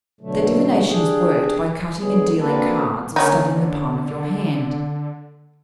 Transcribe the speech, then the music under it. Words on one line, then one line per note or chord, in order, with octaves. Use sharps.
Their divination is worked by cutting and dealing cards or studying the palm of your hand.
B2 D3 F#3 A3
D4 G4 G#4
D3 F#3 G#3 B3 G#4
A#3 C4 D4 F#4 A4 B4
D3 A#3 C#4 D#4